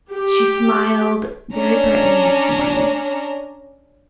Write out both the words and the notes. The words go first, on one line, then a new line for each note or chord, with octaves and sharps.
She smiled very brightly next morning.
G4
C#4 D4 A#5